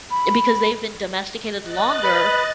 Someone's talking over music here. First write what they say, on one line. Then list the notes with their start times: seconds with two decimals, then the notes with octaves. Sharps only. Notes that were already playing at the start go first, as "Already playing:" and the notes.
because they've been domesticated longer,
0.11 B5
1.60 D#5 F#6 A6
2.04 B4 B5